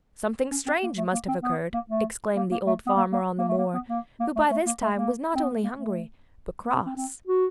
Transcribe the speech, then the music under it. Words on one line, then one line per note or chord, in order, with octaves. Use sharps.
'Something strange must have occurred,' exclaimed the old farmer on the moor, who by this time was not only hungry, but cross.
C#4
C4
A#3
A3
A#3
C4
B3
A#3
A3
A#3
A#3
A3
B3
A#3
A#3
A#3
A3
A#3
B3
A#3
A#3
A3
A3
A#3
A3
A#3
C4
B3
A#3
A#3
A3
A#3
C4
C4
C4
F#4